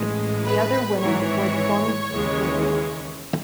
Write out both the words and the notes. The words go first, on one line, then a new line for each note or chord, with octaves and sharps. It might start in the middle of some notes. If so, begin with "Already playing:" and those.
The other winner was Sohn Kee-chung.
Already playing: A1 A2 G#3
B4
G#1 G#2 E3 C#5
D#2 C#3 E3 G#3